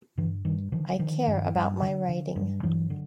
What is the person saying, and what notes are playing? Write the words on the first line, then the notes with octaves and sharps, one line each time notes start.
I care about my writing.
G2 D3 E3
G2 D#3
D3 D#3 F3
D3 D#3 F3
G2
G2
D3
D3
G2
G2 E3 F#3
D3